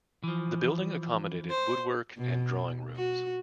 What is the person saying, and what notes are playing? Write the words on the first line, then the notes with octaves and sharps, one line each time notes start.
The building accommodated woodwork and drawing rooms.
E3 F3
C5
B2
F#4